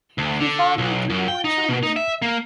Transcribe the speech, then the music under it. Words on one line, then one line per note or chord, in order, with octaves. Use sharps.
He fathered three more children.
D2
D3
B1
F#2
G5
D#4
B2
D#4
E5
A#3